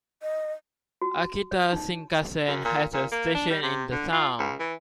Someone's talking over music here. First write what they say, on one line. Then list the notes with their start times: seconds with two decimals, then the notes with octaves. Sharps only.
Akita Shinkansen has a station in the town.
0.22 D#5
1.02 F#4
1.51 C#5
1.73 D#4
2.47 F#2
2.65 A#2
2.93 A#2
3.11 A#3
3.35 D4
3.50 G3
3.62 C3
3.91 D3
4.12 F4
4.39 C#2
4.59 E3